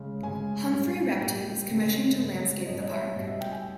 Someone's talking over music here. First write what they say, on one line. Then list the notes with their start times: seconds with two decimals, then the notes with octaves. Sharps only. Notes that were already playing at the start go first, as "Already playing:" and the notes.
Humphry Repton was commissioned to landscape the park.
Already playing: C#3 G#3
0.22 C#3 G#3 G#5
0.72 A#2 G3
1.20 A#2 G3 G5
1.69 C#3 G#3
2.18 C#3 G#3
2.66 G3 D#5
2.70 B2 C#5
2.82 D#5
2.92 E5
3.16 B2 G3
3.28 E5
3.41 G5
3.52 G#5